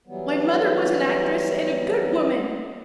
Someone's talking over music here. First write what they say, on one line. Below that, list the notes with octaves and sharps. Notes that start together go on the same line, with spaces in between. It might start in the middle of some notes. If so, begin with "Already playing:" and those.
My mother was an actress and a good woman.
E3 F#3 G3 B3